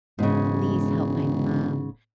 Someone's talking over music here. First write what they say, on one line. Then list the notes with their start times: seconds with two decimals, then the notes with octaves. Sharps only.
"Please help my mom,
0.19 E1 G#2 C#3